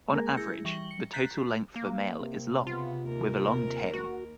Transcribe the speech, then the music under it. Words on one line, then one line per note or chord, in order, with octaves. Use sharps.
On average, the total length of a male is long, with a long tail.
G#3 A#3 G#4 A#4
E4 G#4 G6 A#6 C#7
E3 G3 C#6 A#6 F#7 G7
C#7
A#5 F#6 G6 A6 B6 C7
A#3
C3
C#3 B3 F4
D#2 A#4
F#4